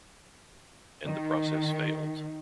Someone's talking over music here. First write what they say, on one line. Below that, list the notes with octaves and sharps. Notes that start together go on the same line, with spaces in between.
And the process failed.
D#3